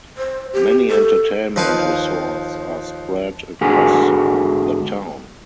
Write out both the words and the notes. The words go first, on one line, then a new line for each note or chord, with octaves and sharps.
Many entertainment resorts are spread across the town.
C5
G4
A4
D#2 F3 B4 F5
G#2 D3 F#4 G#4 A#4 G#5